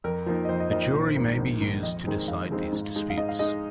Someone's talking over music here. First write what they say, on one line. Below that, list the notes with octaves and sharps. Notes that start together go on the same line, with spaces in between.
A jury may be used to decide these disputes.
F2 A#4
F3 A#3 D#4
D#5
F2 C5
D#5
F3 A#3 D#4 D#5
D#5
A#1 C5
G#2 D#3 A#3
A#1
G#2 D#3 A#3
F2 D#5
D#3 G#3 C4 D#4
F2 F5
D#3 G#3 C4 D#4
G#2
G#3 D#4
F5
G#2 D#5
F5
G#3 D#4 D#5